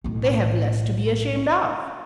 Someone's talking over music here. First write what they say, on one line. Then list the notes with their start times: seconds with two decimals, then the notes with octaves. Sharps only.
They have less to be ashamed of.
0.04 B1 A2